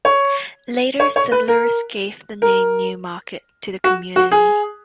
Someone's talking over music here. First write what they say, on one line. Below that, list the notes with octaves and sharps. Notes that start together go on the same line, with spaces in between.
Later settlers gave the name New Market to the community.
C#5
C#5
C#5
B4
A#4
A#4
F#4
F#4
G#4